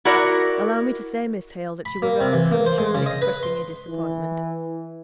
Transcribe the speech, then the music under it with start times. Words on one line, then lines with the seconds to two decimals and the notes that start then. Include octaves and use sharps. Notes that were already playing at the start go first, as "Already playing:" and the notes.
'Allow me to say, Miss Hale, that you were rather premature in expressing your disappointment.
0.05 E4 F#4 A#4 D5
1.85 B5
2.02 A#3
2.21 C3
2.33 E3
2.52 A#3
2.66 C5
2.78 G#3
2.95 C#3
3.06 D#5
3.22 B4
3.43 C6
3.89 E3